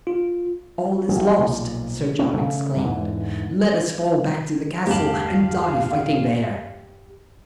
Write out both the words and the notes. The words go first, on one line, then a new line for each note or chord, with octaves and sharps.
"All is lost," Sir John exclaimed; "let us fall back to the castle and die fighting there."
F4
A1
B1 A#2 F3
A#1 C#4
C#3 A3
E2 G#2 D3 E3
G1 E2 D3 A3 G4 F5 A5 F#7